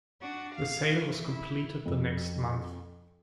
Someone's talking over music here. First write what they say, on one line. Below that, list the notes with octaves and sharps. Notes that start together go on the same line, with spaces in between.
The sale was completed the next month.
D4 F#4
F5
E3
E4
F2